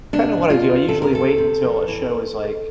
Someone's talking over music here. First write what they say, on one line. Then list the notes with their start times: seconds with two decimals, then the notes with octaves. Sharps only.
kinda what I do, I usually wait until a show is, like,
0.13 C3 D4
0.37 C3
0.50 F4
0.64 D2
0.88 C3 A4
1.02 A#4
1.13 D2 A4
1.38 C3
1.64 F2
1.88 E3